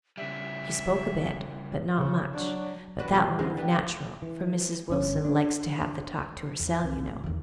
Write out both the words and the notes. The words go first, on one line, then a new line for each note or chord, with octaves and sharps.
She spoke a bit, but not much; but that were only natural, for Mrs. Wilson likes to have the talk to hersel, you know.
C#3 G3 E5
C#3
F#3 D4
D4 F#4 B4
F2 B2 G3
D2 E3 F3 G#3 C4 G#4
G3 B3
E3
G1 C#4
D4
E2
C2
A2
E2 D#3